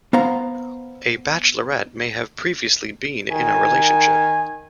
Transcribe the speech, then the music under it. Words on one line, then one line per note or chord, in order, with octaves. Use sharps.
A bachelorette may have previously been in a relationship.
B3 C5 F5 A#5
D#3 G#5